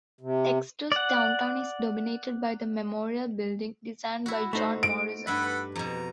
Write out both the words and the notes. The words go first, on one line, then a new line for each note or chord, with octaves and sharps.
Dexter's downtown is dominated by the Memorial Building, designed by John Morrison.
C3
D5 F#5
E4 F#4
A3 D#4 C5
D7
G2 A4 B4 F#5 B5
F2 B2 A#5